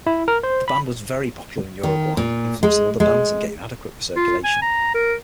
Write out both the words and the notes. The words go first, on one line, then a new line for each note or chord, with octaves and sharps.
The band was very popular in Uruguay, influencing other bands and getting adequate circulation.
E4
A#4
C5
B5
D#3
A#2
G#3
G#3
F4
G#5
A#5
A#4